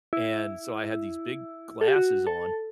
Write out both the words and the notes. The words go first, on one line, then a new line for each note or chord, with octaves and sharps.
And so I had these big glasses on.
E4
A4
G4
F#4
A4